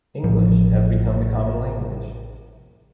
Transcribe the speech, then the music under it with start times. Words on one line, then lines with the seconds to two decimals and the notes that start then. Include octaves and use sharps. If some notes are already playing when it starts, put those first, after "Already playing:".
English has become the common language.
0.24 A1 F3